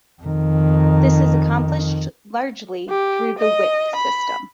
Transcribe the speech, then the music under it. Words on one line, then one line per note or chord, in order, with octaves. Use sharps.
This is accomplished largely through the whip system.
F2 D#3
G4
D#5
B5